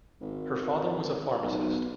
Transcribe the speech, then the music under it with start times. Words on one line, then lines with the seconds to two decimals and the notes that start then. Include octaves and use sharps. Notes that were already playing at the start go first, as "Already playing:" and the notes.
Her father was a pharmacist.
0.21 G#1
1.43 B1